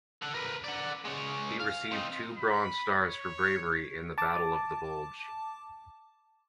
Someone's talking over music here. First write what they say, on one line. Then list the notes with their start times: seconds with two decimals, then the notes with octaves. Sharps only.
He received two bronze stars for bravery in the Battle of the Bulge.
0.22 A4 F#5
0.34 A#4 B4
0.64 D5 F#5
1.05 G#3 C#5
1.60 F5
1.92 C4 D#4
2.38 B5
3.02 C#5
4.18 A5 D6